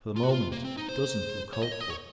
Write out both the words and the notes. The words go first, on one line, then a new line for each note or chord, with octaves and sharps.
For the moment it doesn't look hopeful.
F4
F#4
F4
A#3
C4
D#4
C5
C#5
D#5
C#5
D#5
C#5